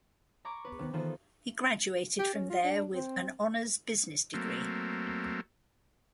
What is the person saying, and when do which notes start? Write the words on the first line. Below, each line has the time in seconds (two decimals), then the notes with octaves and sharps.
He graduated from there with an Honours Business Degree.
0.45 A#5 B5 C#6 D6 G#6
0.65 B3 B4
0.78 C3 D#3 B3
0.93 D#3 E3 B3 F4 A4 C5
2.19 G4
2.34 C#4
2.50 F4
2.65 D4
2.94 C4
4.34 F#3 A3 A#3 C4